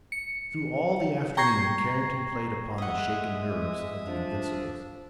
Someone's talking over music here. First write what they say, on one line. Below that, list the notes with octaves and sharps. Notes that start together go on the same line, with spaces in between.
Through all the afternoon Carrington played upon the shaken nerves of the Invincibles.
C#7
G5 A#5 C#6 G#6 A#6 C7
G#3 D#5 E5 F#5 D#6
F3 D4